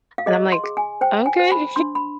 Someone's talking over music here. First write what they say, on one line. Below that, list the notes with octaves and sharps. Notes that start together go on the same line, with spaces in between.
and I'm like, "Okay.
F5
G#4 D#5
C6
G#4
G#5
C5 G5
G#5
C5
B5
D4 C6
B5